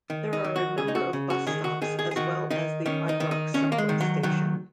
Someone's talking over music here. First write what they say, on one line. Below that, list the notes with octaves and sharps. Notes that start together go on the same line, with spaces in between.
There are a number of bus stops as well as the Ibrox Subway station.
D#3
D#4
D#3
F#4
C#3 G#4
D#4
F#4
C#3
F#4
D#3 G#4
F#4
D#3 G#4
G#4
G#4
D#3 F#4
D#3 D#4
D#3 C#4
D#4
D#3
D#4
D#3 C#4
A#3
G#3
D#3
F#3
D#3 F#3